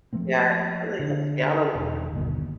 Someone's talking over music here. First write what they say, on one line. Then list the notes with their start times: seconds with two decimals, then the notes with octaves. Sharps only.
Yeah. It really helps me out a lot.
0.13 F3 A3 A#3 C4
0.99 D3
1.75 E1 D#3
2.13 G1 D#2 B2